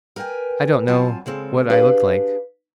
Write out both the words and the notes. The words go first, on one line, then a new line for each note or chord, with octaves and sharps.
I don't know what I looked like.
A#4 B4 E5 G5 G#5
F#3 C4 F4 G#5 A5
C#3 G#3 C4 A4
D4 G4 G#4 B4 F5